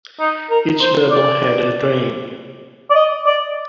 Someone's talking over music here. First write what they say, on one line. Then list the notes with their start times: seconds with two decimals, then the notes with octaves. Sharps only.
Each bubble had a drain.
0.20 D#4
0.50 A#4
0.81 C5
1.11 D5
2.90 D5
2.95 D#5
3.26 D5